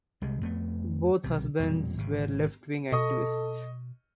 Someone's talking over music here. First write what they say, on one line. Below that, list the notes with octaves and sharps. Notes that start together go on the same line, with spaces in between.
Both husbands were left wing activists.
C2 C3 G#3
F2 A3 B3
B1 C3
E1 F2 A#2 G3
G#1 C3
B2 A4 D#5 C#6 D#6